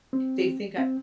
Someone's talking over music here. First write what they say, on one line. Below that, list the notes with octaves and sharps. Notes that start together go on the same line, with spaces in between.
they think I
C4
C4